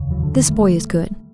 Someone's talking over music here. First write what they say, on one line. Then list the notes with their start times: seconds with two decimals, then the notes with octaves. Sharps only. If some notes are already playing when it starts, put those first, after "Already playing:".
"This boy is good."
Already playing: F1 D#2 C#3
0.11 E3 F#3
0.23 D3
0.36 D#3
0.48 G3 A3